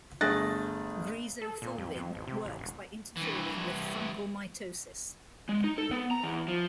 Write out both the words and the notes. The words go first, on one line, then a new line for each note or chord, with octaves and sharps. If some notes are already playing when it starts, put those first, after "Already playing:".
Griseofulvin works by interfering with fungal mitosis.
G1 A3 G#4 F#6 A6 A#6
A4
A#2
F2
F2
A1
C3
A1
E1
G2 E3
G#3
D#4
A4
B3
A#5
E2
F3